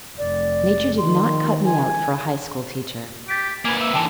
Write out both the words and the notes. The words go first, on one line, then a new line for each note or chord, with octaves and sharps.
Nature did not cut me out for a high-school teacher.
F1 D5
D#3 C6
G#5
G4 A6 B6 D7
A#3 B4 G#5
E5
D3 E3 G5 A5